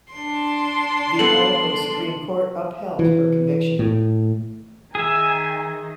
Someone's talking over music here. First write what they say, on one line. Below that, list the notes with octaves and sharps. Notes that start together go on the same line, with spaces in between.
The Idaho Supreme Court upheld her conviction.
D4 C6
G3 B3 A4 F#7
E3
A2
D#3 D#4 G#4 E5 G#5